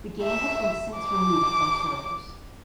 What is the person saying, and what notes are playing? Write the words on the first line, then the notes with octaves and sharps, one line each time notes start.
The game has been since removed from servers.
E5
D6